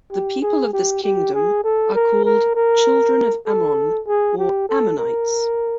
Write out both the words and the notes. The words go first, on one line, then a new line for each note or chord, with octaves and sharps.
The people of this kingdom are called "Children of Ammon" or "Ammonites".
G4
G#4
G4
G4
G#4
A4
A#4
A#4
A#4
A4
G#4
G4
A4
A#4